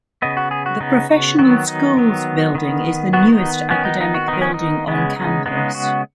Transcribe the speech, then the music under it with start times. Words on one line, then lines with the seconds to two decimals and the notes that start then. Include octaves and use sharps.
The Professional Schools Building is the newest academic building on campus.
0.22 C#3 B3 D#5
0.37 F#4
0.51 G#4
0.66 F#4
0.80 C#3 B3 D#4
1.09 F#4
1.39 D#3 F#3 B3 F#4
1.67 D#4
1.97 D#3 F#3 B3
2.55 D#3 B3
3.13 D#3 B3 F#4
3.32 D#4
3.71 D#3 B3 C#4
3.85 D#4
4.01 D#4
4.14 F#4
4.28 D#3 B3 D#4
4.42 C#4
4.54 D#4
4.88 C#3 G#3 B3
5.16 D#4
5.46 C#3 G#3 B3 D#4
5.75 F#4